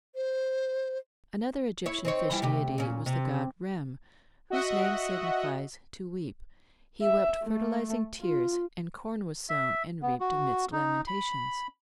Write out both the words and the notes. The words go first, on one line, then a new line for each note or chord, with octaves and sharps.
Another Egyptian fish deity was the god Rem, whose name signifies "to weep"; he wept fertilizing tears, and corn was sown and reaped amidst lamentations.
C5
E4 C#5
C4 D#4 C#5
E3 G3 E4
D2 C3 G4
A#2 C#4
C3
F#4 D#5 E5 F#5
E5
A3
F4
E5
B3
F#4
D#4
B5